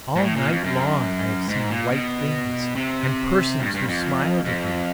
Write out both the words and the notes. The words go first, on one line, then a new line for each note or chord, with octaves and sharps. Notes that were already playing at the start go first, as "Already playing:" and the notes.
All night long I have seen white things, and persons who smiled at me.
G#2
A2
A#2
F2
F#2
G#2
A#2
B2
C3
G2
G2
F2
F2